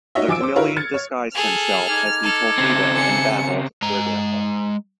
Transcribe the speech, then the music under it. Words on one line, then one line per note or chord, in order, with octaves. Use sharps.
The Chameleon disguised himself as the Torpedo and battled Daredevil.
D#4 F#4 C#5 D#5 E5
F3 G#5 D6 E6 D7
C5 D6
E4 F#4 A#4 B4 C#5 F5
F6 G#6 A6 C#7
C#5
G#4 A4 F6
D#4 D6 G#6
A4
C#3 C4
G#5 C#7
G4
G#3 A#5